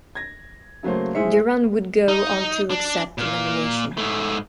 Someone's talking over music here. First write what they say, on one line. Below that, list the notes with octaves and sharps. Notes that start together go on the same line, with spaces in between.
Durand would go on to accept the nomination.
G#6 A#6
C#3 F#3 A3 A#3 C5
A2 G#3 G#4 C5 E5 C#7
D#4
D4
A#2 A#3
G#2 A3